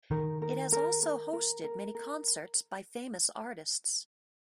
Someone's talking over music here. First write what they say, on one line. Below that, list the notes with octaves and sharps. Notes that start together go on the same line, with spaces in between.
It has also hosted many concerts by famous artists.
D#3 A#4
A#4
A#4
A#4
A#4
A#4
A#4